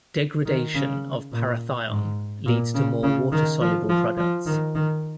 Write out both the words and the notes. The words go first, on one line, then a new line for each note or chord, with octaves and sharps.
Degradation of parathion leads to more water-soluble products.
D#3
C#3
A#2
G#2
A#2
C#3
C#3
D#3
F3
F3
F3
D#3
D#3